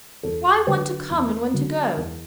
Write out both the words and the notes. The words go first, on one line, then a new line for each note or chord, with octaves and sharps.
'Why one to come and one to go?'
E2 A4
D3 F#3 B4
E2
D3 F#3
E2